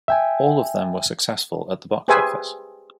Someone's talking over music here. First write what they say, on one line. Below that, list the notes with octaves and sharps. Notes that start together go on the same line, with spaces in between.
All of them were successful at the box office.
E5 G5 G#5
G4 G#4 B4 C5 E5 G#5